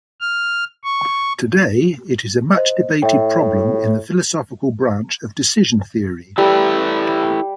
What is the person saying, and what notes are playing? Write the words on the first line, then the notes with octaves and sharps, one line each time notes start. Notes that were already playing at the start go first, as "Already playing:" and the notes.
Today it is a much debated problem in the philosophical branch of decision theory.
F6
C#6
C5 D#5
A2 E5 G5
G3 E4 A4 B4